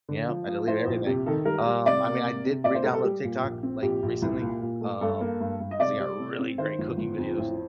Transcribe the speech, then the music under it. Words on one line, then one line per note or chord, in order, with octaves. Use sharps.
you know? I deleted everything. Um, I mean, I did redownload TikTok, like, recently, um, 'cause they got really great cooking videos,
D3
F3
F3
A2 C5
A#1
C3 G4
D#3 A4
G3 A#4
G3
C3 D5
A#3
C3
C3
A#2 D5
C5
G3 A#4
A4
G3 G4
A#2
A#1
C4
A#1 G4
A#1
C2
A#2
A#2
A3
G2 A4
A#3
G2
G2
D#5
C3 D5
G3
C3
C4
D#3 C5
G1
G1
F2
A1